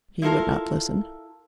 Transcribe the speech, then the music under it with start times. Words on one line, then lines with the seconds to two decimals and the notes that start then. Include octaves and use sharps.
He would not listen.
0.22 E4 F4 A4 A#4